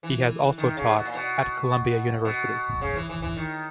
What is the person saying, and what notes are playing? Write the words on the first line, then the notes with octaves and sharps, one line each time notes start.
He has also taught at Columbia University.
E3
D#3
C#3
B2
A#2
B2
B2
C#3
E3
E3
E3
D#3